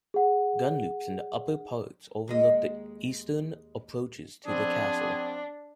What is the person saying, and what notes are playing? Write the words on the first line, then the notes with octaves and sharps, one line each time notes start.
Gunloops in the upper parts overlook the eastern approaches to the castle.
G#4 F#5
D#2 G#3 D#5
F3 B3 C4 D4 G#4